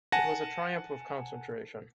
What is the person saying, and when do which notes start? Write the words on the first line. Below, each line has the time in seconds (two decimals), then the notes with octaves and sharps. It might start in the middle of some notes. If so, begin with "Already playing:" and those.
It was a triumph of concentration.
0.12 F#5 G#5 A5 A#6